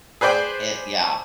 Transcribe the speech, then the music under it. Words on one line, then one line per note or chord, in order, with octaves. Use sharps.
it yeah.
G#4 B4 C5 D5 G5